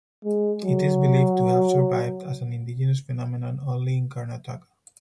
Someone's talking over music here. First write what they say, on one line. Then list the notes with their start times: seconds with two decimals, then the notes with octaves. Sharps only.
It is believed to have survived as an indigenous phenomenon only in Karnataka.
0.25 G#3
0.65 F#3